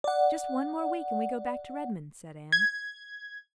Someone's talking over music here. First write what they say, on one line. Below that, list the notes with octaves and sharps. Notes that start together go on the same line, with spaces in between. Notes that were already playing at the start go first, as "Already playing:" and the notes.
"Just one more week and we go back to Redmond," said Anne.
D5 F#5
G#6